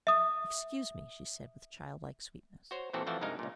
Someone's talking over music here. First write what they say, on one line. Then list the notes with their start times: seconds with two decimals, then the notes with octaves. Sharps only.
"Excuse me," she said, with childlike sweetness.
0.07 E5 D#6
2.71 F#4 C5 C#5
2.93 A#2 E3 F3 C4 F#4 A4
3.07 F2 E3 F3 A3 F#4 A5
3.21 C2 G2 G#3 D#4 A#4
3.39 C#2 A#2